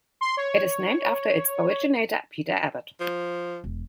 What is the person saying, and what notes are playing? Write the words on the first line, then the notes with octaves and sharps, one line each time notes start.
It is named after its originator, Peter Abbott.
C6
C#5
F3
E1